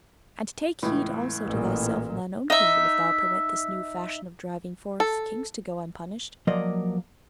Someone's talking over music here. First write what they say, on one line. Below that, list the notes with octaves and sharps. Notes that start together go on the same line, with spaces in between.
And take heed also to thyself and thine own kingdom if thou permit this new fashion of driving forth kings to go unpunished.
C#2 A2 E3
A1 A#2
D#4 E5
A4
F3 F#3 A#3 A#4 D5 D#5